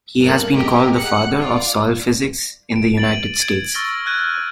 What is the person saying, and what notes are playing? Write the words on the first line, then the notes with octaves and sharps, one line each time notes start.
He has been called the father of soil physics in the United States.
G2 A#3 A4 F#6
G4 G#4 A#4 D#5 G5
F#5 F#6 C#7
F4 D5
D7
A6 F#7
D#7
G#6 D7
C#6 E6 F6 A6 A#6 G7
F6 F#6 G#6 D#7